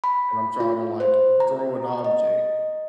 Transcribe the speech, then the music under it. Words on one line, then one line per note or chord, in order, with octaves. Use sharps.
and I'm trying to, like, throw an object,
B5
F4
C5
A#5
D#5